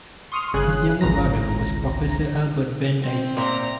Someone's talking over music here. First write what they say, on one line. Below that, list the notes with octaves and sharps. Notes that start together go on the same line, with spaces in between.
His younger brother was Professor Albert Venn Dicey.
C6 C#6 D#6 F6
G1 C#3 G#4 F#6
G#1 C#2 A#5 A#6
C4
A#2 E5 A#5 C6 D6